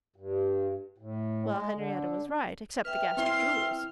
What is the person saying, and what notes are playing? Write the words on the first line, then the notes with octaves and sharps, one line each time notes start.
Well, Henriette was right--except the Gaster jewels.
G2
A2
G#3
D3
B4 E5 G5 F6
C4 E4 A4 C6